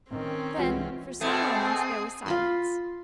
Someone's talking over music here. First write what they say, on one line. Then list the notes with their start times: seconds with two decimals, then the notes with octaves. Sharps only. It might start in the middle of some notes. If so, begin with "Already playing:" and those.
Then, for some moments, there was silence.
0.10 D#3 C4 C#4
0.57 C2 E3 G#3 F4 C#5 F#5
1.21 B2 A3 C4 G#4
2.26 F4 B5 C6